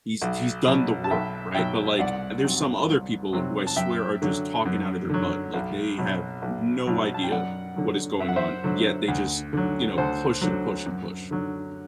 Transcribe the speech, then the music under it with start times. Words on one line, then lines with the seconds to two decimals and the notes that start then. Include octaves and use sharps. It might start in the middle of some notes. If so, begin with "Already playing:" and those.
he's he's done the work, right? But, like, eh, there's some other people who I swear are just talking out of their butt, like, they have no idea what is going on, yet they just, you know, push and push and push.
0.22 B1
0.67 B2 F#3
1.04 A5
1.11 B1 E5 G5
1.55 B2 F#3 E5 G5
1.99 C2 D5 F#5
2.44 C3 F#3
2.89 C2
3.33 C3 F#3
3.67 A5
3.76 F#2 E5 G5
4.22 D3 F#3
4.65 F#2
5.10 D3 F#3
5.54 B1
5.98 B2 F#3
6.42 B1
6.87 B2 F#3
7.14 A5
7.23 G5
7.32 F#2 D5 F#5
7.76 D3 F#3
8.20 F#2 E5
8.28 F#5
8.36 C5 E5
8.64 D3 F#3
9.08 D2
9.53 D3 F#3
9.98 D2 A4 C5
10.41 D3 F#3
10.86 F#2
11.31 D3 F#3